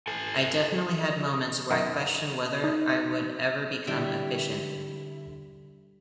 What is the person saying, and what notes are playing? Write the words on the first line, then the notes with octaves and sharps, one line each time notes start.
I definitely had moments where I questioned whether I would ever become efficient.
A4 G#5
F#2 D#3
D#4
D3 G3 E4 E5 G5